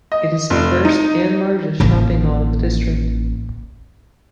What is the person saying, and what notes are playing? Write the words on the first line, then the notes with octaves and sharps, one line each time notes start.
It is the first and largest shopping mall in the district.
D#5
F1
D#4
A1 A#3